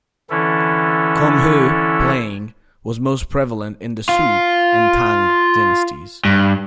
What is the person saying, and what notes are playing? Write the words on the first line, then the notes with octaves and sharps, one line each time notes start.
"Konghou" playing was most prevalent in the Sui and Tang dynasties.
D3 E3 C#4 E4 A4
F4
G2